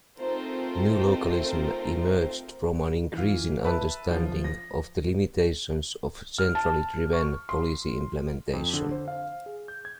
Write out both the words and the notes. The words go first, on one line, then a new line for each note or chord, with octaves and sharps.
New localism emerged from an increasing understanding of the limitations of centrally-driven policy implementation.
A3 C4 D#4 F4 A#4 C5
E3 F4
B4 E5 A5
F3
A#6
F6
A5
C#6
C6
F2
D3
C5
F5
G#4
G6
G#6